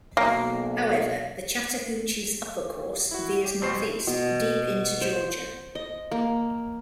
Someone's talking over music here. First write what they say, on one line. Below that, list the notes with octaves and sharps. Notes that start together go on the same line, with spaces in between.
However the Chattahoochee's upper course veers northeast, deep into Georgia.
B1 A#3
E4 F#4
G4
F2 B2 C5 C#6 C7 E7
B2
C5
D#5
A#3